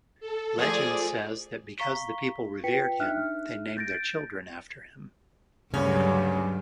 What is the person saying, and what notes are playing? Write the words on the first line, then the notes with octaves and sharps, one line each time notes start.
Legend says that because the people revered him, they named their children after him.
A4
F3 A3 G#4 D5
F5 A#5 C#6 B6 G7
F4 B4 G5 B6 C#7
D4 D#4 E5 F6 F#6
G6 A6 A#6 D7
D2 G2 C#3 F#3 C#4